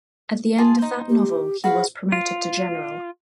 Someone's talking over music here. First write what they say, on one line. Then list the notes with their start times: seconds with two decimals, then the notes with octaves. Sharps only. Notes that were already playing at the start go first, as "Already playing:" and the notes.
At the end of that novel he was promoted to General.
0.58 F4 G#4 A5
0.78 D#4 C5
1.09 G4
1.64 F#4 G#4 B4 F5
2.12 F4